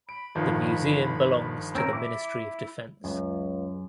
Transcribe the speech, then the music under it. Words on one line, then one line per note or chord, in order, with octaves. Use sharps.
The museum belongs to the Ministry of Defense.
B5 D7
G1 D#3 F3
C4 C#4 A#4
E4 D6
C#2 F#2